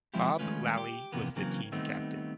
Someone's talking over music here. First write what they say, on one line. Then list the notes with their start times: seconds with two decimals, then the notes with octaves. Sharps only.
Bob Lally was the team captain.
0.14 F3 G#3 C4 E4 F4 G4
0.39 D#3 G#3 A3 C#4 F4 B4
0.78 G4
1.12 F2 A2 C3 E3 A#3 B3
1.36 C#3 E3 F#3 A#3 C4
1.72 D#3 G3 A3 B3 C4 D#4